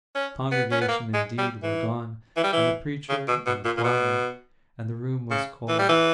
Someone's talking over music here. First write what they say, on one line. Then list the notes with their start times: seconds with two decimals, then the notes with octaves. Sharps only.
The congregation, indeed, were gone, and the preacher, and the choir; and the room was cold.
0.15 C#4
0.51 B3
0.72 C#4
0.81 B3
0.89 A#3
1.14 G#3
1.38 G3
1.63 E3
2.37 E3
2.44 G3
2.53 E3
3.09 C#3
3.28 B2
3.46 B2
3.65 A#2
3.77 A#2
3.84 B2
5.31 C#3
5.68 E3
5.79 G3
5.89 E3